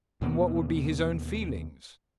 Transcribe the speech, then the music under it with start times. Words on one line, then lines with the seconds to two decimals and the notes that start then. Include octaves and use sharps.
And what would be his own feelings?
0.21 D#2 B2 A#3 B3